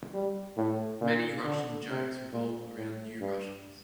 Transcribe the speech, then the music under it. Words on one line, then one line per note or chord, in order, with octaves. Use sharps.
Many Russian jokes revolve around New Russians.
G3
A2
A#2
D3
C3
A#2
A2
G2